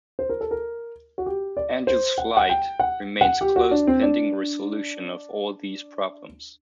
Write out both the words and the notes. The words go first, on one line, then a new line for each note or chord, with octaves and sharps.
Angels Flight remains closed pending resolution of all these problems.
C5
A#4
A4
A#4
F#4
G4
D5
C5
F#5
F#5
G5
F#5
F#5
G4
F#4
D4
C4
D4